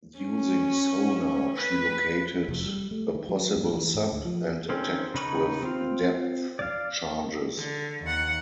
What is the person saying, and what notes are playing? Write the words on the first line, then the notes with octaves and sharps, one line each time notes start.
Using sonar she located a possible sub, and attacked with depth charges.
C#4
B4
F1
G3
A3
D#3
F#3
G2
E3
G#2
D2
F3
D#3 C4 C#4
C#3 D#4 B4 C#6
C4 F4
D5 F5
D3
D#2 F#5